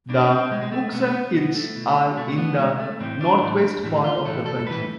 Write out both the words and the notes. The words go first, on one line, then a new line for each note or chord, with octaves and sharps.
The Cookson Hills are in the northwest part of the county.
B2 D4
C4
B2 G#3
G#3
A3
B2 B3
A3
B3
B2 B3
A3
B2
B2 A3
B3
B2 G#3
A3
A2 E3 C4
D4
A2 E3
A2 E3
F4
A2 E3 A4
A4
A2 E3 B4